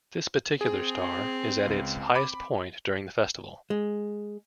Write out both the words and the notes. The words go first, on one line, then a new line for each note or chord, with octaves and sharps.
This particular star is at its highest point during the festival.
C4 G#4
C#2
B5 D6
G#3